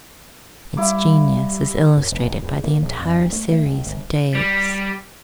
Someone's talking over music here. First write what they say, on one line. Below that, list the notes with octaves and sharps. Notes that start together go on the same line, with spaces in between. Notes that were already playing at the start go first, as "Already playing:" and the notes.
Its genius is illustrated by the entire series of days.
G3 E4 F5 D6
F#2
F1
D2
E2
A#3
A#1
F2
D2
A3
A3
C#2
G1
G3